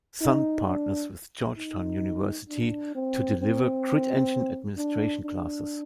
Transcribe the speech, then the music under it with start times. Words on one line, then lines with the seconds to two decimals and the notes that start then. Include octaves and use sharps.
Sun partners with Georgetown University to deliver Grid Engine administration classes.
0.21 D#4
0.67 D4
1.57 D#4
2.49 D4
2.95 C4
3.41 C4
4.78 D4
5.24 D4